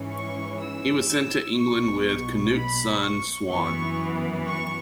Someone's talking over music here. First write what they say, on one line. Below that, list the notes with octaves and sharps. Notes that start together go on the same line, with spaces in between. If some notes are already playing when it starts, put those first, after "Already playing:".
He was sent to England with Canute's son Sweyn.
Already playing: G#2 E3 C#4
C#6
E6
E6
B1 B2 B3 C#6
C#6
B5
C#6
F#2 E3 B3 C#6
C#6